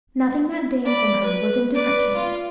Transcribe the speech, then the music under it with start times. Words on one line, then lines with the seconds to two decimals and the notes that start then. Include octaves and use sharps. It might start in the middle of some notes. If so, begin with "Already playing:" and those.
Nothing that dame from her was indifferent to me.
0.85 D5 B5
1.24 B4
1.75 B4 D5
2.16 F4